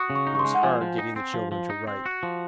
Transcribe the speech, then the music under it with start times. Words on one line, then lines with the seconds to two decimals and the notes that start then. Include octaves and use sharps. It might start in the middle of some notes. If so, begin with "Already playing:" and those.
It was hard getting the children to write.
Already playing: F#4 C#6 D#6
0.10 C#3
0.15 C#6
0.27 D#4
0.35 C#6
0.39 C6
0.45 G#3
0.55 F#5
0.63 F3 G#5
0.81 F3
0.98 D#4
1.16 C4
1.34 F3
1.52 F3
1.70 D#4
1.87 C4
2.06 F#4
2.23 F3